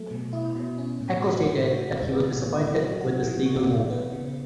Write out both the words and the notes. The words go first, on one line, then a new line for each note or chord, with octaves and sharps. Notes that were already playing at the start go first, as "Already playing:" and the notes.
Ecko stated that he was disappointed with this legal move.
Already playing: F#3 A3
B2
E4
B2
C#4
A2
F#4
A2
F#4
E3
B3
A2
E4
F#3
F#4
E3
F#4
B2
B3
C#3